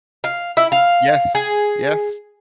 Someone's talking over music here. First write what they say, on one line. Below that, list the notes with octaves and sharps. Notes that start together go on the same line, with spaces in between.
Yes. Yes.
F5
E4
F5
G#4